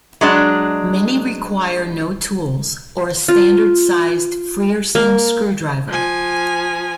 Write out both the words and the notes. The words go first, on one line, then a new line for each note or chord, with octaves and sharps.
Many require no tools, or a standard-sized Frearson screwdriver.
F#3 G#3 D4
F4
A#3
F3 G#5